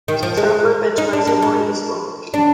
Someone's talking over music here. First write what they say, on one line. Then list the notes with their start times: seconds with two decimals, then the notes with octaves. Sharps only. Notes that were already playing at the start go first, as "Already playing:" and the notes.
Software benchmarks are more useful.
0.08 D#3
0.23 F3
0.37 G#3
0.98 D#4
1.13 D4
1.27 A#3
1.42 G#3
2.34 D4